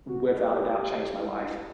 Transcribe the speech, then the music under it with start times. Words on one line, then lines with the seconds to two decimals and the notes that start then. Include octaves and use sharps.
Without a doubt, changed my life.
0.08 F#4
0.30 E4
0.54 G4
1.21 E4
1.44 D4